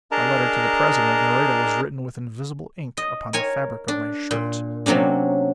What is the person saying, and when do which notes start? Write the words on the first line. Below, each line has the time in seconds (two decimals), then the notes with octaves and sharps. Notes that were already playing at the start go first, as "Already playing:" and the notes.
My letter to the President of Nareda was written with invisible ink upon the fabric of my shirt.
0.11 D4 G#4 A#4 D#5 A5 A#5
2.97 D#5
3.33 A#4 C#5 G#5
3.88 D4
4.31 A#2
4.86 C3 F#3 A#3 C#4 D4